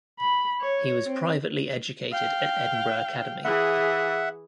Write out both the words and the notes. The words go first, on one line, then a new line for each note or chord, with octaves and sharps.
He was privately educated at Edinburgh Academy.
B5
C#5
C4
F5 G5
E3 G#4 E5 F#5